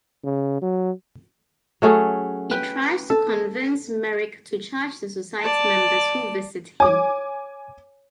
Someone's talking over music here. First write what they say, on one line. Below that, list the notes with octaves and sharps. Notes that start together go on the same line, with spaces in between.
He tries to convince Merrick to charge the society members who visit him.
C#3
F#3
F#3 A3 C#4 G#4
B4 G5
A4
D5 A5
C#5 G#5 D6